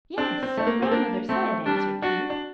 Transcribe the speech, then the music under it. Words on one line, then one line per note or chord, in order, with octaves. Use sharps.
"Yes, so grandmother said," answered Keith.
C4 D4
C4
A3
A#3
C4
A#3 D4
A3 C4
G3 D4
D4 F#4
D4